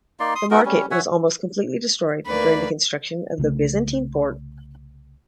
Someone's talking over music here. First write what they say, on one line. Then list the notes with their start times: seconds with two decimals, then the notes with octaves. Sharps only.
The market was almost completely destroyed during the construction of the Byzantine fort.
0.20 A#3 D#4 D5 C6
0.35 C6 D#6
0.51 B3 D#4 F#4 A#4
0.65 G3 C#4
0.91 C#5 E5 F#5 G#5
2.26 D2 D#3 A#3 B4 D5
3.38 C2 C#3 E3 A3